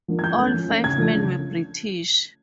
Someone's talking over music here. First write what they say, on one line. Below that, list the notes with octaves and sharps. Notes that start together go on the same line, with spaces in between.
All five men were British.
F3 A#3 D4
G#6
F3 G6
A3 C#4
F3
A3 C#4
C#3 G#6
F3 A3 D4
C#3